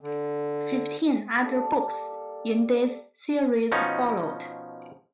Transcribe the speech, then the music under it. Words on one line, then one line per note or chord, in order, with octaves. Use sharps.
Fifteen other books in this series followed.
D3
G3 A#3 A4
B2 F3 C#4 D#4